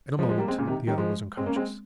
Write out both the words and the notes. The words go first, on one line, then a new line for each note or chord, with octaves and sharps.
In a moment the other was unconscious.
F3 G#3
F3 G#3
G3 A#3
G#3 C4
A#2 C#3
C3 D#3
D#3 G3
F3 G#3
G#3 C4
A#3 C#4
G#3 C4